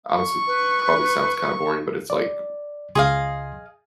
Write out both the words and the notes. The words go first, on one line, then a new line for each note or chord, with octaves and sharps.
honestly, probably sounds kinda boring, but it's, like
C#6
B4
D5
C#2 G#4 D#5 F5 C6